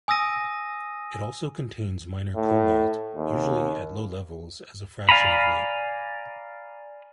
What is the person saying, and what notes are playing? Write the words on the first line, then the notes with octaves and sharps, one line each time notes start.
It also contains minor cobalt, usually at low levels as a fraction of weight.
G#5 D#6 E6 A#6 D#7
A2
D#2
D5 F5 G#5 A#5 B5